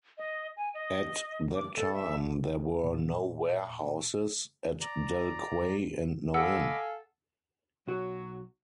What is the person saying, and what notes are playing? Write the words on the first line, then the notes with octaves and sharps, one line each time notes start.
At that time there were no warehouses at Dell Quay and no inn.
D#5
G#5
D#5
D6
A4
E5
A#2
D5 A#5
A4 D#5 F5 F#5 G#5 B5 D6 E6
B1 F#3 F#4